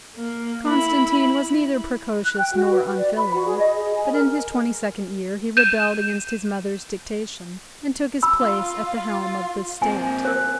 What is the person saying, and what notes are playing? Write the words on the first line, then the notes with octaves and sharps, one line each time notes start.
Constantine was neither precocious nor unfilial, but in his twenty-second year he rebelled against his mother's dictation, and took his place at the helm of the state.
A#3
E4 B5
F#6
G5
F#4
B4
D5
B5
F#4
G#4
D#5
G#4
G#5
A#4
G6 D#7 E7
B5 E6
F4
A#3 C4 G#5
A#4 C5